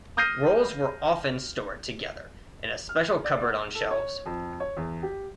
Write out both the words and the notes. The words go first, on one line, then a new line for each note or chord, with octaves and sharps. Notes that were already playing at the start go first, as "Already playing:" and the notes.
Rolls were often stored together in a special cupboard on shelves.
D#6 F6 G6 A#6 C7 D#7
F6
D5
F#5
A4
C#5
F2
C#5
E2
G4